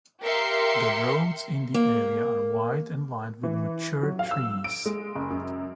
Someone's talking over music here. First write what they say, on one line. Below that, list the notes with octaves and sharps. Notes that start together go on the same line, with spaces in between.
The roads in the area are wide and lined with mature trees.
G4 A#4 E5 F5 C6 C#7
A#3
E3
F#3
F5
E6
D7
G#3
F#1
F#2